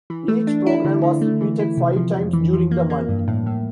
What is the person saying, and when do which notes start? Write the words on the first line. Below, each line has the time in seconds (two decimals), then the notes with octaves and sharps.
Each program was repeated five times during the month.
0.10 E3
0.28 A3
0.47 D4
0.66 E4
0.85 D3
1.03 D3
1.21 A3
1.41 E3
1.59 E4
1.77 C3
1.96 F3
2.15 F2
2.33 E3
2.53 F3
2.71 A#3
2.90 A#3
3.08 G2
3.28 A2
3.46 A2